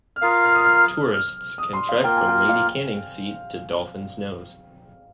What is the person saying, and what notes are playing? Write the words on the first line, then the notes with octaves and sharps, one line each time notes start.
Tourists can trek from Lady Canning's Seat to Dolphin's Nose.
F6
F4 A#4 F5 D#6
F6
D#6
F6
F6
D#6
C6
F5
A#3 F4 A#4 G5
G#5
G5
F5